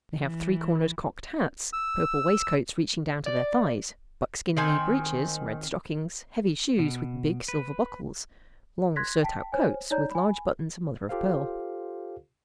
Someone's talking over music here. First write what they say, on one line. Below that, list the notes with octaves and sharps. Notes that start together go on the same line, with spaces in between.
They have three-cornered cocked hats, purple waistcoats reaching down to their thighs, buckskin knee-breeches, red stockings, heavy shoes with big silver buckles, long surtout coats with large buttons of mother-of-pearl.
E3
E6
D5
D#3 C4 G#5
B2
B4
C6 F#6 G#6 A#6 B6
G5 A5 B6
C5 C#5 G#5
D#4 C#5 D5 A#5 G6
G#5 B5
F4 G4 A4 C5 F5